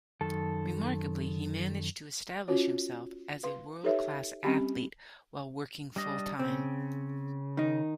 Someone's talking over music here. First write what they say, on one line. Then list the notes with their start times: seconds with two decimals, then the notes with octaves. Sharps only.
Remarkably, he managed to establish himself as a world class athlete while working full-time.
0.21 F#2 D#3 A4 A5
2.48 C#4 F4 F#4 C#5
3.43 B4 F5 C6
3.84 D#4 G4 A4 B4 C#5 E5
4.44 G3 C4 C#4 G4 B5
5.96 G3 D4 D#5
6.39 C#3 C4
7.57 D#3 D#4